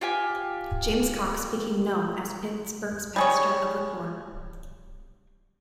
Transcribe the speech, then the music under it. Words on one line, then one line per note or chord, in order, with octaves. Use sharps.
James Cox became known as Pittsburgh's "Pastor of the Poor".
F4 G4 G#5
G3 G#4 C#5